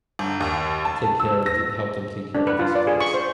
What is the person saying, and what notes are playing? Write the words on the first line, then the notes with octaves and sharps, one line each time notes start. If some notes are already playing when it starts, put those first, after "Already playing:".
take care of the help them take care of these pets.
G1
D#2
A5
E6
A#6
D4
B4
F4
D5
G#4
C#6
C5